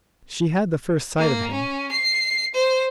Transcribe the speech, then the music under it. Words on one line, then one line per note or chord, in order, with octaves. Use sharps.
She had the first sight of him.
A#3
C#4
C7
C5